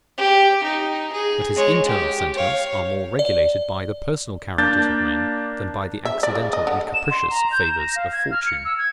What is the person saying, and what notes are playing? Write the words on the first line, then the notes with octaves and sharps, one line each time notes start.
But his internal sentiments are more regulated by the personal characters of men, than by the accidental and capricious favours of fortune.
G4
D#4
G#4
G#3 C#5
G4
C#5 F5
D5
A#3 D4 G6 A6
E5
D5
C#3
D#5
D3
E7
C6
A#5
G6
E7
A#6
F5
G#6
F6
C#7
E6
G#6